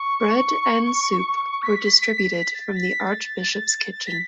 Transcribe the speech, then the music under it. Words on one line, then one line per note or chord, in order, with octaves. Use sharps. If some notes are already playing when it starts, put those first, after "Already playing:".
Bread and soup were distributed from the archbishop's kitchen.
Already playing: C#6
B6
A6
B6
A6
A6
B6